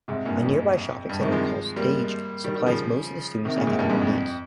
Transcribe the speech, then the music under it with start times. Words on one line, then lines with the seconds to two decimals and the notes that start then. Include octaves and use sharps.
A nearby shopping centre called "Stage" supplies most of the students' economic needs.
0.08 G#2 C3
0.25 G2 A#2
0.42 F2
1.09 G2
1.21 C3 D#3
1.32 F3 G#3
1.76 G3 A#3
2.44 D#3 G3
2.55 D#3 G3
2.66 C#3 F3
3.45 C3 D#3
3.56 A#2 C#3
3.67 G#2 C3
3.79 G2 A#2
3.90 F2 G#2
4.01 F2